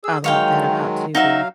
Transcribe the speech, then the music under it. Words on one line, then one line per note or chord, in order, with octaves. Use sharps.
I love that, about Tubi.
G#4 E6
D#3 F#3 G#3 C#5 F5 G5
F#3 D#4 F#4 E5 F5